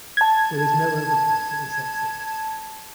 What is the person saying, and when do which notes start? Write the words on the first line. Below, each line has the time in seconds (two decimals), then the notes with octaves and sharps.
There is no overpass at this exit.
0.17 A5 G#6